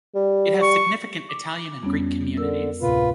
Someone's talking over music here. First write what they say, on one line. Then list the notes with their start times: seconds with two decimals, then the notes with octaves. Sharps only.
It has significant Italian and Greek communities.
0.15 G3
0.62 C#6
1.29 D6
1.83 F2 G3 B3 C#4
2.37 D3 A#4 E6
2.82 D2 A2 C3 F4 B4